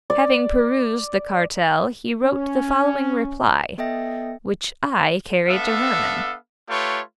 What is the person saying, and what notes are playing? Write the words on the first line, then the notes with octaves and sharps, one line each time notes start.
Having perused the cartel, he wrote the following reply, which I carried to Hermann.
D5
C#4
B3 A4 D#5 E5 G5 A#6
B3 D4 A4 E5 F5
A3 F4 G4 B4 C#5